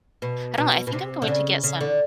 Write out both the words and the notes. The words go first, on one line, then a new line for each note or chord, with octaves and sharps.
I don't know, I think I'm going to get some,
B2
B2
B2
C3
D3
C#3
C#3
D3